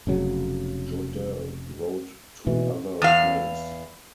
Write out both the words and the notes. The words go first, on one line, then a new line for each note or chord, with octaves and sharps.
Jodelle wrote two other plays.
F1 C#3 F#3
B2 E3
E2 F5